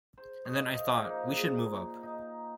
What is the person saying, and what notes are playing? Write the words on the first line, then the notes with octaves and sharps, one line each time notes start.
And then I thought, 'We should move up.
C5
C5 C#5 D#5
D#5 F5 C6
F3 A#3 D#4
A#2 G#4
D#4